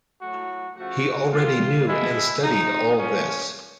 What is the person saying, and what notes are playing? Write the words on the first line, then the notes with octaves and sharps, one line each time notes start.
He already knew and studied all this.
A2 F#3 A3 F#4
C#3 F3 A3 F#4
A#2 G3 F4
B2 G#3 E4
C3 F3 G#3 D#4
A#2 F3 A3 C#4